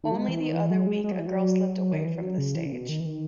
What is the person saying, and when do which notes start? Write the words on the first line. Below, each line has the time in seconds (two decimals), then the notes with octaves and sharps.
Only the other week a girl slipped away from the stage.
0.04 D#3
0.12 F#3
0.16 G#3
0.28 E3
0.41 D#3
0.53 E3
0.70 F#3
0.87 G#3
1.04 G#3
1.12 F#3
1.19 E3
1.26 F#3
1.93 D#3
2.05 E3
2.21 F#3
2.38 C#3
2.55 E3
2.66 C#3
2.72 B2
2.89 D#3
3.00 E3
3.06 D#3